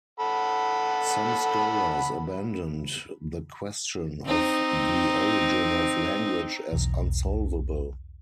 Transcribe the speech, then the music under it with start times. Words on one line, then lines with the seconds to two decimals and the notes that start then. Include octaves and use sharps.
Some scholars abandoned the question of the origin of language as unsolvable.
0.20 A4 F#5 B5
4.25 C4 D#4
6.72 B1 E2